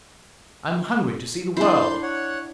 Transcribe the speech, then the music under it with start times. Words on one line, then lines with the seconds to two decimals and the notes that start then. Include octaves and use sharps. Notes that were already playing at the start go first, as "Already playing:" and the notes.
I am hungry to see the world.
1.57 D4 E4 C6 G6
2.03 C#5 F#5